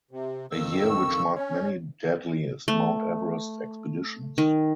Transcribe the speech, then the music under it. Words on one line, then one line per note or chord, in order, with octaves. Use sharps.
A year which marked many deadliest Mount Everest expeditions.
C3
F2 D#3 E6
C#6
C#4 C#5
A3
D#3